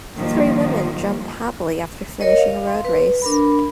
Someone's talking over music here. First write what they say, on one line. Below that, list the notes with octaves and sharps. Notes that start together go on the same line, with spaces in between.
Three women jump happily after finishing a road race.
A#2 D#3 F3 G3 A#3
A#4 C#5 D#5
F5
C6
B4
D4 A#4 B5